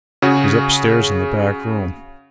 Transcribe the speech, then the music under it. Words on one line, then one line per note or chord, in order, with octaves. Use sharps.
"He's upstairs in the back room."
C#3 F#4 G#4